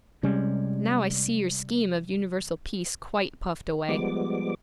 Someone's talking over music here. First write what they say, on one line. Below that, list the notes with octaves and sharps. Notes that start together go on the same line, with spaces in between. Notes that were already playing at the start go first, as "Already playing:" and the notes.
Now I see your scheme of universal peace quite puffed away!'
C3 G3 G#3 C#4
F3 G3 G#3 B3 D6